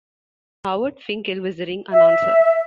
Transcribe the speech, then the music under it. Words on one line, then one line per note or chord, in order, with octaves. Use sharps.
Howard Finkel was the ring announcer.
E5